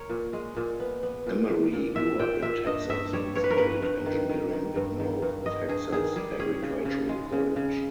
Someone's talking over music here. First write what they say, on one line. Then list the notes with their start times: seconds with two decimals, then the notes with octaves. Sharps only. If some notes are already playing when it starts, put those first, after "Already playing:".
Emery grew up in Texas and studied engineering at North Texas Agricultural College.
Already playing: A#4 C#5
0.10 A#2
0.33 G#3
0.56 A#2
0.80 B3
1.03 B3
1.27 A#2
1.50 A#2
1.73 A#2
1.96 A#2 E5
2.19 A#2 G5
2.42 A#2 E5
2.66 G2 D#5
2.89 G2 E5
3.13 G3 C#5
3.35 G2 C#5
3.44 B4
3.50 A#4
3.58 G2 B4
3.82 G2
4.06 D#3
4.29 D#3
4.53 D#3
4.76 G2
5.00 D#3
5.22 G2
5.46 G2 D#5
5.69 G2 G#4
5.92 D#3 G#4
6.16 G3 G#4
6.39 C#4 G#4
6.62 C#3
6.85 C#3
7.09 G#3
7.32 C#3
7.56 C#3